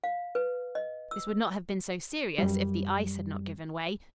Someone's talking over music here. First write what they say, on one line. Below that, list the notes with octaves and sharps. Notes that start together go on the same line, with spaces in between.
This would not have been so serious if the ice had not given way.
F5
B4
D#5
E6
F#2 G3